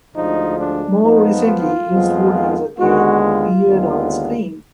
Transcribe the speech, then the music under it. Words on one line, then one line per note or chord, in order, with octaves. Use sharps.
More recently, Eastwood has again appeared onscreen.
D2 D3 F3 G#3 D#4
D4
F2 F3 B3 D#4
F4
F2 F3 G#3 B3
D#2 D3 G#3 B3 F#4
F4
D#2 D3 G#3 B3